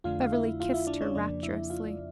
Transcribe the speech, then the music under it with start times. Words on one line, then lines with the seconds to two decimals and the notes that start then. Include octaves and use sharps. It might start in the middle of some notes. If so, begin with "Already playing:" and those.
Beverly kissed her rapturously.
0.04 F2 D3 A3 D4 F4 F5
0.23 F5
0.32 E4 E5
0.60 F4 F5
0.73 E4 E5
0.87 D4 D5
1.01 C#4 C#5
1.15 F2 C#3 F3 A#3 D4 D5
1.43 E4 E5
1.70 F4 F5